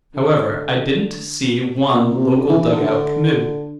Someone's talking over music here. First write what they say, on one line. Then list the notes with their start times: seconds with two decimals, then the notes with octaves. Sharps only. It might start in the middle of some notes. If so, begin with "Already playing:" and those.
However, I didn't see one local dugout canoe.
0.15 D3
1.94 A#2
2.15 C3
2.38 D3
2.49 E3
2.61 E3
2.72 D3
2.83 D3